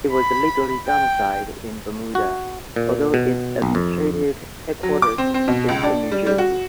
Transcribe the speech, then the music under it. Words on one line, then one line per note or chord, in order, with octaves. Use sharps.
It was legally domiciled in Bermuda, although its administrative headquarters is in New Jersey.
B5
G5
F#4
A#2
B2
B1
F2
F#3
D6
C4
C4
B2
C#2
D4
G3
G3
F#4